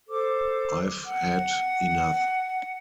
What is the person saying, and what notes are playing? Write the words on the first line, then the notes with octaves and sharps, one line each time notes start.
I've had enough.
A4 C5 D6
F#5